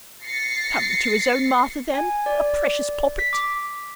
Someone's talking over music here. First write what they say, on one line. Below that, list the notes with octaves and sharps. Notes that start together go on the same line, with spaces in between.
'Come to his own Martha, then - a precious poppet!'
A6 A#6 C7 C#7
G#5
D5
B6
D6